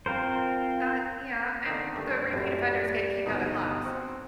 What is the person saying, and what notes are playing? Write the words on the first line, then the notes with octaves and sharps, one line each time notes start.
Uh, yeah, and the repeat offenders get kicked outta class.
C4 F4 A#4 C5
D3 D#3 D#4
G2 A3
F#2 A2 G3
G1 B2 D#4
C4 F#4